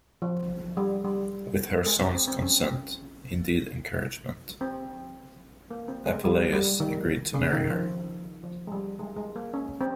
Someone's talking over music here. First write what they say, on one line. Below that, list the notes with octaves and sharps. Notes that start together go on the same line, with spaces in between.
With her son's consent - indeed encouragement - Apuleius agreed to marry her.
F3
G3
G3
G#3
C4
C4
C4
C#4
C4
A#3
C4
G#3
G3
G3
D#3
C#3
D#3
F3
F3
G#3
G3
G#3
G#3
A#3
C#4
C4